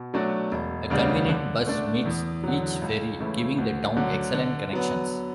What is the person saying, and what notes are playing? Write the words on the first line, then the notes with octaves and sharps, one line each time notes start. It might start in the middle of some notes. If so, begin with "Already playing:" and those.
A convenient bus meets each ferry giving the town excellent connections.
Already playing: B2
F#3 A3 D4 F#4
E1
D2 C#3 G3 D4
D3
A3 D4
E2
D3 F#3
C#2
C#3 E3 A3 E4
D2
D3 F#3
D3
F#3 B3